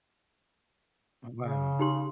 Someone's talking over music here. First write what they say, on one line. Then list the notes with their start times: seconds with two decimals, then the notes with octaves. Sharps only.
Oh, wow.
1.39 C#3
1.79 D#4 G4 C6